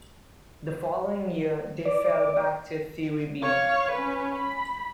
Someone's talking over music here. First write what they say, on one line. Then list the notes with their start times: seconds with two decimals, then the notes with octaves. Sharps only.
The following year, they fell back to Serie B.
1.86 D5
3.42 C#5 F5
3.92 C#4 B4
4.36 B5